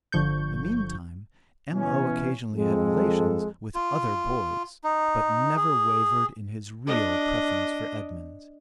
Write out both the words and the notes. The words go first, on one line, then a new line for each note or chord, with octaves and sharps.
In the meantime M.O. occasionally had relations with other boys, but never wavered in his real preference for Edmund.
G1 D3 F3 C#6 G6
B2 E3 C#4
F2 G#3 A4
F4
D#4
G#4
D4 D#5